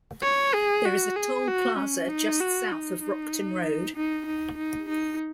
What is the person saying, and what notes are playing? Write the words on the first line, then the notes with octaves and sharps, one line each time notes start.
There is a toll plaza just south of Rockton Road.
C#5
G#4
F#4
G#4
F#4
C#4
D#4
F#4
D#4
D#4
D#4
D#4
D#4
D#4